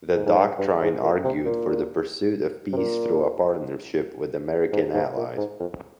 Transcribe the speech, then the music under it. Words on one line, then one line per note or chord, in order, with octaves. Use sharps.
The Doctrine argued for the pursuit of peace through a partnership with American allies.
G#2
G#2
G2
G2
G#2
A#2
C3
A#2
C3
A#2
G#2
G#2
A#2
G#2
F2